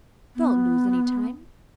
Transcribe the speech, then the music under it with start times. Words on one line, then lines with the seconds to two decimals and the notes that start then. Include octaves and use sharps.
Don't lose any time.
0.35 B3